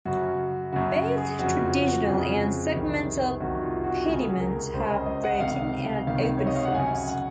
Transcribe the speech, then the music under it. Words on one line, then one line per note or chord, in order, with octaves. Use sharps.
Both traditional and segmental pediments have "broken" and "open" forms.
F#2 C#3 F#4
F#2 C#3 F#4
G#4
F2 C#3 F#4
F4
F#4
F2 C#3 G#4
C2 C3 D#3
C2 C3 D#3 F#4
F4
F#4
C#2 C#3 G#4
A#4
C#2 C#3 C5
D#5
D#5
F#5
C#2 C3 D#3 F5
C#2 C3 D#3 F5
C#5
D#5
F5
F#5
F#2 C#3 G#5
F#5